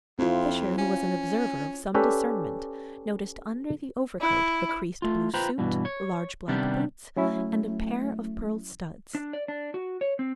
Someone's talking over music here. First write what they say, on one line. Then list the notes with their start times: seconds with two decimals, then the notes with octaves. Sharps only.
Fisher, who was an observer of some discernment, noticed under the overcoat a creased blue suit, large black boots and a pair of pearl studs.
0.19 F2 C4 E4 F4
0.78 C#4
1.95 C#4 G4 A4 B4 D5
4.21 E4
5.02 A3 F4
5.34 F4 B4 C5 G5 A#5 B5
5.58 G2 B2 E3
5.85 C#5
6.48 C3 D#3 G3 B3 D4 G4
7.16 F#3 A3 C#4 E4
9.15 D4
9.33 D5
9.48 D4
9.74 F#4
10.01 C#5
10.19 C4